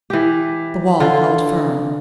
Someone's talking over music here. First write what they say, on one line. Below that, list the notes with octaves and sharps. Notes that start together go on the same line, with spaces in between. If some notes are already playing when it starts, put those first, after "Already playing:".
The wall held firm.
E3 G4
D3 F4